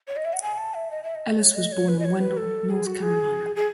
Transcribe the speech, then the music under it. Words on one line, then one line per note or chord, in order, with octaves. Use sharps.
Ellis was born in Wendell, North Carolina.
C#5
D#5
E5
F#5
G#5
A5
E5
D#5
E5
D#5
C#5
D#5
C#5
B4
D#5
C#5
B4
A4
G#4
F#4
G#4
G#4